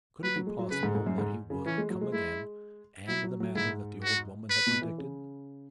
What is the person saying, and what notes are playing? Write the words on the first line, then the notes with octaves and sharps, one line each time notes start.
Could it be possible that he would come again, and in the manner that the old woman had predicted?
F#3 B4
F#3
G#3
F#3
C#3 B4
G#2
G#2
F#2
G#2
C#3
E3 C#4
G#3
F#3
G#3
G#3 E4
F#3 E4
F#3
F#3
G#2 E4
F#4
B4
B2
E3
C#3